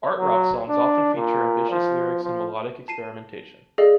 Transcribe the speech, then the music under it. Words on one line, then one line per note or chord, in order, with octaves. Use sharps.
Art rock songs often feature ambitious lyrics and melodic experimentation.
F#3
D4
A#2
F3
F3
A5 C7 D#7
G#4 A4 D5 D#5 F5